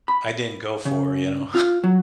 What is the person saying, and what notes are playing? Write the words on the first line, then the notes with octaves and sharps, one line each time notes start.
I didn't go for, you know?
B5
C#3
F4
F#3